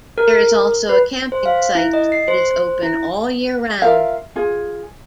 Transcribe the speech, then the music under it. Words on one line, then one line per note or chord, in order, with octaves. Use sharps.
There is also a camping site that is open all year round.
A#4
B4
C5
F5
E4
D#5
C7
C5
E4
F4 A#4 E5 F5
F4 G#4